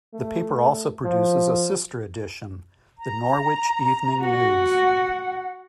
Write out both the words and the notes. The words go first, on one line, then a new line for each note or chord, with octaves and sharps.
The paper also produces a sister edition, the "Norwich Evening News".
A3
F3
A#5
F#4 F#5